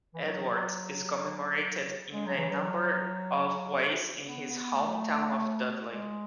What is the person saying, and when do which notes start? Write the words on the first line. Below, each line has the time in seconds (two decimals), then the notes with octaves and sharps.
Edwards is commemorated in a number of ways in his home town of Dudley.
0.14 E3
0.22 F#3
2.13 G#3
2.26 F#3
2.37 E3
2.50 F#3
4.27 B3
4.50 B3
4.73 A3
5.92 G#3